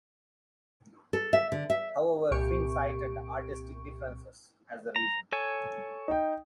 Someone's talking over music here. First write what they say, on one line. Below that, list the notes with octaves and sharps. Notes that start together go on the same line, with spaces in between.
However Finn cited "artistic differences" as the reason.
A4
E5
D3
E5
C2 A#2 G4 C#6 D7
A#5
A4 C#5 G#5
D#4 G5